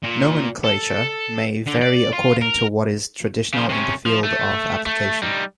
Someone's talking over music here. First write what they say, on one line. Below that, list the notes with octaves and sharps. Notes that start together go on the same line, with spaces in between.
Nomenclature may vary according to what is traditional in the field of application.
A#2
A4
D3
D5
F4
A#4
C#3 F3
C3 C#4
F3
A3
A3
G3 D#4